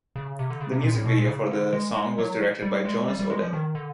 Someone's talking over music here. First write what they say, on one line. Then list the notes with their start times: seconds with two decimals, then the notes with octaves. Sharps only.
The music video for the song was directed by Jonas Odell.
0.16 C#3
0.39 C3
0.50 D3
0.61 C#3
0.72 C3
0.83 A#2
0.95 A2
1.05 B2
1.17 A#2
1.28 C#3
1.51 D3
1.73 G#3
1.95 G#3
2.18 F#3
2.62 G3
2.85 G#3
3.08 G3
3.19 G3
3.30 G#3
3.42 F3
3.53 D#3
3.75 D3